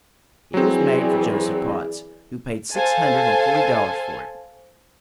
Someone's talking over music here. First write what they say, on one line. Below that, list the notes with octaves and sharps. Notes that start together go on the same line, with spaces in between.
It was made for Joseph Potts, who paid six hundred and forty dollars for it.
E3 F#3 C4 G#4 D5
A4 C5 F5 G#5 A5